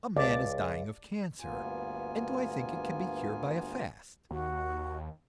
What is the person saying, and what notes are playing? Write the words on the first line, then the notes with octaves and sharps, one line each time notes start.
A man is dying of cancer, and do I think it can be cured by a fast?
C#2 D5
D2 G2 A#3 B3 F4 G#5
D#2 F#4